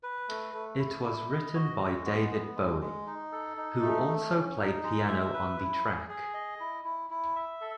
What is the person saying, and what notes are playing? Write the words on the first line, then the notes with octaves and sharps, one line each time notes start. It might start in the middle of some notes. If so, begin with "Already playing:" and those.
It was written by David Bowie, who also played piano on the track.
B4
A3
A3
E4
E4
D#5
F#4
G#3
B3
B3
G#3
G#3
D#4
A4
D#4
A3
A3
C#4
D#4
G#3
E5
B4
E4
G#4
G#4
D#5
E4
E4
E4
E5
A4